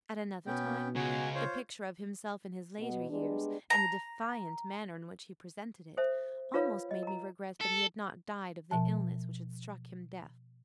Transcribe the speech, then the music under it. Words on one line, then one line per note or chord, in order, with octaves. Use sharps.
At another time, the picture of himself in his later years, and the defiant manner in which he presented it, almost made me regret that he had not died of the illness which had struck him deaf.
B2 B3 C#4 G5
C#3 G#3 F#4 G#5
F4 C5 C#5
B2
G3 G#3 B3 D4
A#5
A4 C5 E5
F4 A#4 B4 C#5 F5
D#5
A#4 A#5
A4
B2 F3 A5